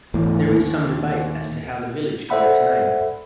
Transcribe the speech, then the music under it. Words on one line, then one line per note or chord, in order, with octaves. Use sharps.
There is some debate as to how the village got its name.
G#1 E2 A2
D#2
A4 C5 D5 E5 F#5 B5